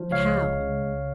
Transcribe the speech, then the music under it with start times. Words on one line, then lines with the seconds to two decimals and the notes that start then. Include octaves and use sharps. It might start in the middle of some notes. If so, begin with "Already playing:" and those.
But how?
Already playing: F3
0.12 C#2 C#5 F5
0.36 G#3
0.60 C#3
0.83 C#2